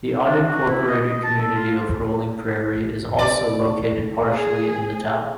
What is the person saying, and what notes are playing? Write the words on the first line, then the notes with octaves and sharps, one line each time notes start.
The unincorporated community of Rolling Prairie is also located partially in the town.
D4
F#4
E4
D#5
D#5
A5
A4
F4
D5
G#4